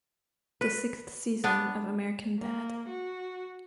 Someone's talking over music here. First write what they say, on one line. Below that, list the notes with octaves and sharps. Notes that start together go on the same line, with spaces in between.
The sixth season of American Dad.
B4
B3 D4
A#3
F#4